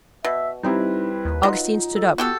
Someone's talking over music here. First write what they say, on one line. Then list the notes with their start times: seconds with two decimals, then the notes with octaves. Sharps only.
Augustine stood up.
0.25 B2 E5
0.63 G3 C4 D#4 E4 B4
1.25 D#2
1.43 F#3 D#4 F4
1.94 A4
2.18 B3 F#4 G4 A4